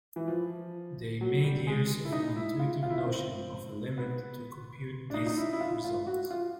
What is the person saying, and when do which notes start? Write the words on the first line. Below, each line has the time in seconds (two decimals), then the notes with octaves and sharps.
They made use of an intuitive notion of a limit to compute these results.
0.16 E3
0.28 F3
1.21 F#3
1.44 G3
1.67 G#3
2.05 E4
2.12 D#4
2.36 E4
2.60 F4
2.83 F4
2.90 E4
2.98 F4
3.06 C4
3.98 B3
5.10 D4
5.14 D#4
5.27 D#4
5.37 E4
5.53 E4
5.60 F4
5.84 F4
6.07 F#4
6.31 F4